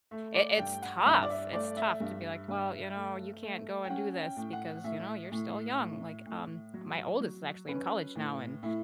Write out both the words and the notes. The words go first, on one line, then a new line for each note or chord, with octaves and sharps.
it it's tough, it's tough to be like, "Well, you know, you can't go and do this because, you know, you're still young," like, um, my oldest is actually in college now, and,
A3 E5
D5
G2 G5
F#5
G2 E5
D5
E5
A3 D5
E5
G2
G2
A3
A3
G5
C#4 F#5
G5
A2
F#5
A2 E5
A2
A2
A2
F#3
F#3
C#4 B4
A2
A2 E4